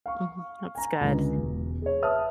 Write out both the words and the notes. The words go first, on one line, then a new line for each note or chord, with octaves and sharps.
Mhm. That's good.
F5 C#6
G#5 A#5
C#2 D3
E1
G#4 C#5
B4 E5 A5 D#6 F6